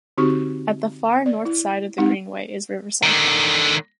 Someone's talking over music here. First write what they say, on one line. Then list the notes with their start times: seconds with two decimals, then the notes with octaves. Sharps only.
At the far north side of the Greenway is Riverside Park.
0.18 D3 C4 D#4 F#4 G4 C#6
1.26 D5
1.45 E4
1.98 G#3 C4 D#4 G4 F#5
3.03 D3 D#3